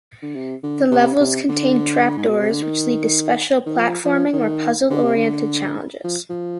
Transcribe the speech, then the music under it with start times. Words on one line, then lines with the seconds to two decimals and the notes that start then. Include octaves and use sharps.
The levels contain trapdoors, which lead to special platforming or puzzle-oriented challenges.
0.22 D3
0.35 C3
0.63 D3
0.91 C3
1.20 C3
1.49 D3
2.17 G#2
2.28 B2
2.39 C3
2.51 D3
2.62 D#3
3.66 D#3
3.76 F3
4.05 F3
4.33 D#3
4.90 D3
5.03 C3
5.16 D3
6.04 F3
6.29 F3